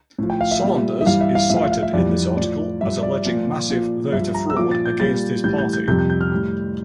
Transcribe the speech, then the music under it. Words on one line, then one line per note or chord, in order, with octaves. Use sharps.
Sanders is cited in this article as alleging massive voter fraud against his party.
A2 F3
G5
F5
E5
A#2 G3
E5
G2 E3 G3 F5
E5
F5
A2 F3 E5
F5
E5
F5
E5
F2 E3 G3 D5
A2 F3 D5
G2 F3 E5
D5
A#2 F3
A#2 F3
G2 F3 E5
A#5
E6
A#2 F3 D6
A6
G6
A#2 G3 A6
A2 E3 G3 G6
G6
G6
F2 C3 G3 G6
G6
G6
F6
A2 G3